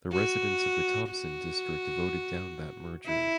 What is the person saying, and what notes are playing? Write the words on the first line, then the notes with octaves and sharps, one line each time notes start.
The residents of the Thompson district voted down that merger.
F#4
F#4
E4